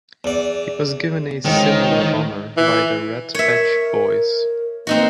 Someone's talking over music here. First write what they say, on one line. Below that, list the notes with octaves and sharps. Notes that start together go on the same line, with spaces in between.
He was given a similar honour by the Red Patch Boys.
E2 D5
C#2 G#2 D#3
E3
A#4 C#5 E5
A#3 C4 D#4 F#4